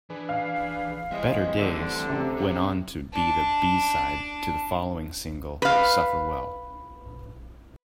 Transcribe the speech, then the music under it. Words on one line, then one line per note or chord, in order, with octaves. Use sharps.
"Better Days" went on to be the B-side to the following single, "Suffer Well".
E3 D4 G#4 B4
F5
E3 G3 G#3 C4 D#5 E5
D2 D3
C3
C#4 G4
D4 A5
B4 F5